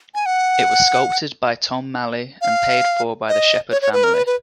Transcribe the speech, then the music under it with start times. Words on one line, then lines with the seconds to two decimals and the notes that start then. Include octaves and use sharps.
It was sculpted by Tom Maley, and paid for by the Shepherd family.
0.15 G#5
0.26 F#5
2.41 F5
3.28 D#5
3.71 C#5
3.82 C#5
3.93 B4
4.04 A#4
4.14 B4
4.26 B4